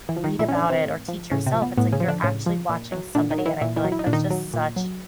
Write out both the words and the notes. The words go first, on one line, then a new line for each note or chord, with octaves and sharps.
read about it or teach yourself, it's, like, you're actually watching somebody, and I feel like that's just such
E3 E4
F3
D#3 D#4
A#2 E3 E4
C#4
D3 D4
F3
C3 C4
A2
F3
A2 C#3 C#4
C3 C4
F3
B3
A2 B3
C#3 C#4
F3
D3 D4
A2 C#3 C#4
F3
A#2
F#3
A#2 D3 D4
D#3 D#4
F#3
E3 E4
A#2 E3 E4
E3 E4
F#3
E4
D#4
A#2 D4
D#3 D#4
F#3
A#2
F#3